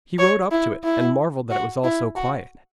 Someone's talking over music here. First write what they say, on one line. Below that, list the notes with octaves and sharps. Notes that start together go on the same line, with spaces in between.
He rode up to it, and marvelled that it was all so quiet.
C#5
E4
E4
F#4
E4
F#4